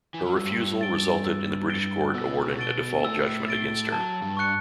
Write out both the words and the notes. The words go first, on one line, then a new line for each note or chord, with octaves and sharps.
Her refusal resulted in the British Court awarding a default judgment against her.
E3
F#3
G2 G3 E6
A6 D7 G7
E6
A6 D7 G7
B2 B3 E6
A6 D7 G7
A2 A3 E6
A6 D7 G7
F#3 A5
G2 G3
C#6 F#6 C#7